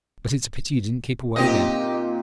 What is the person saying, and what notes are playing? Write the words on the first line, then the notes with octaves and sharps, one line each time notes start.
But it's a pity you didn't keep away, then.
A#2 C4 D#4 G4 D#5